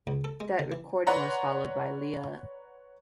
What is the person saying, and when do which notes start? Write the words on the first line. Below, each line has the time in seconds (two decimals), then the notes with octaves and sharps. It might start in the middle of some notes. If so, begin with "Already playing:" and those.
That recording was followed by Lea...
0.07 C#2
0.24 A4
0.40 G#3
0.59 D3
0.72 E3
1.07 B4 C#5 D5 F#5 A#5 C6